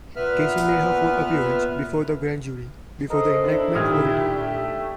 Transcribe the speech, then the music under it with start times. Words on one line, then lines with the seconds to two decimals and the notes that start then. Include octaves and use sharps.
Casey made her fourth appearance before the grand jury before the indictments were returned.
0.16 A#2 B3 B4 E5 F6
3.10 A4 A#4 C5 D#5
3.44 D4 E4
3.75 A#2 D#3 G4 D#6 F6 G#6
4.25 A3 D4 B6